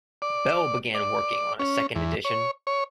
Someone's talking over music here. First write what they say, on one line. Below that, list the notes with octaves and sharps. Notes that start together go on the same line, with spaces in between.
Bell began working on a second edition.
D5
D5
C#4
E2
C#5
C#5